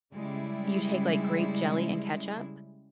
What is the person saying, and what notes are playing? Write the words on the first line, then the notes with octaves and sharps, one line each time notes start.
you take, like, grape jelly and ketchup
C#3 G3 G#3 E4